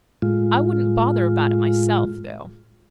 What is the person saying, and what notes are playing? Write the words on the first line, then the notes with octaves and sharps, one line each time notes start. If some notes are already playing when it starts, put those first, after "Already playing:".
I wouldn't bother about it myself, though.
A2 G#3 F4